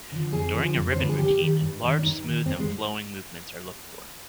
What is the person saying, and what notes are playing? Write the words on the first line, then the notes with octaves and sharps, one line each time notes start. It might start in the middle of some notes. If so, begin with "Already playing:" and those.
During a ribbon routine, large, smooth and flowing movements are looked for.
D3 F3
F2 G#4
D3 F3
F2
C5
D3 F3 B4
G#4
G2 G4
D#3
G2
D#3
D4
G2 D#4
D#3
G2 C4
G#3